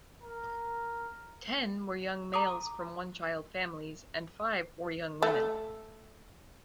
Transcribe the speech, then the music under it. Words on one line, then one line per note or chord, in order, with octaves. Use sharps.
Ten were young males from one-child families and five were young women.
A#4
A#5 D6 D#6
A3